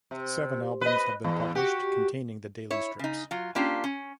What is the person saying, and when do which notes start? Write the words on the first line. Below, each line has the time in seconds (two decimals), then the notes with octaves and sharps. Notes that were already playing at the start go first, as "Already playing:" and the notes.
Seven albums have been published containing the daily strips.
0.11 C3
0.81 B4 D#5
1.24 E2
1.55 F#4 G4
2.71 E4 C#5
2.99 C#3 D#4
3.31 F#3 F4
3.55 A#3 C#4 D4 F4 G4
3.84 C#4